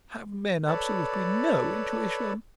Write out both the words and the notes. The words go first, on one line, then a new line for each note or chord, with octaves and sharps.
Have men absolutely NO intuition?
A4 B4 C#5 D5 A5 B5